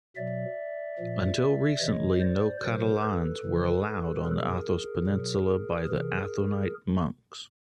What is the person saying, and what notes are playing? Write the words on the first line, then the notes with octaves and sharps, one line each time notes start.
Until recently no Catalans were allowed on the Athos peninsula by the Athonite monks.
B2 F#3 D5 E5
A#2 F3
C3 E3 C#5 D#5
C5 D5
B2 F#3 A#4 C5
A4 B4
C#3 E3
B2 F#3 G#4 A#4
B2 F#3
C3 E3 G#4 A#4